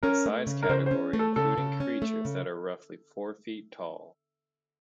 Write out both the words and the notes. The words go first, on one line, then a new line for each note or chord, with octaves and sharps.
The size category including creatures that are roughly four feet tall.
C#4 A#4
A3
C#3
A#4
C#3 C5
C5
C#4
A3
A4
C#3 A4
C#3
C#4
A3
C#3